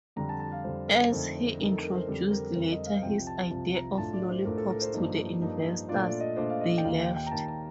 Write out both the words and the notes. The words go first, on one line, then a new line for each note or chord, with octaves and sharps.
As he introduced later his idea of lollipops to the investors, they left.
F2 D3 G3 A#5
A5
A5
F5
F2 D3 G3 C5
A#4
F2 D3 A3 D#4 C5
C5
F2 D3 A3 D#4 A#4
A4
A#4
C5
F2 D3 G3 C4 A4
A#4
F2 D3 G3 C4 C5
D#5
F5
C2 C3 F3 G5
A5
C2 C3 F3 A5
A#5
A2 A3 D4 F4 A5
D5
C5
A2 A3 D4 F4 A#4
A4
A#4
C5
G2 F3 A#3 D#4
G2 F3 A#3 D#4
A#2 A3 D4 F4 D5
D5
D#5
A#2 A3 D4 F4 C5
F5
D#5
G5
D#2 D#3 A#3 F5
G5
G5
A#5
D#2 D#3 A#3 A5
A#5